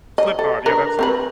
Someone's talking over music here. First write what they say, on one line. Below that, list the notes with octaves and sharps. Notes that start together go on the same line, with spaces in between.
Slipknot, yeah, that's it.
D#5
A4
D4 A#4 B4
C4 A#4 B4